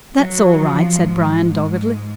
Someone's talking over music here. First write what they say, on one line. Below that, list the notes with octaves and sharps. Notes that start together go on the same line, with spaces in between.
"That's all right," said Bryan doggedly.
F#3
F3
G#2